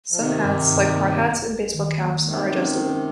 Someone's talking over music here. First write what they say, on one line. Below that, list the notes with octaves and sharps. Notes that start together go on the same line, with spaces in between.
Some hats, like hard hats and baseball caps, are adjustable.
F3
C3 D#3 D#4
G2
G2
A#3
G1
G1
D#3
A#3
C3 D#3 G#3
C#4
C#4